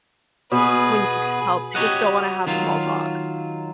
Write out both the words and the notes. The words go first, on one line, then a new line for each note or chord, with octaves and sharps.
when you need help, they just don't wanna have small talk.
B2 G#4 B4
F#4 G4 A4 C#5 D#5 F#5
D#3 F#3 F4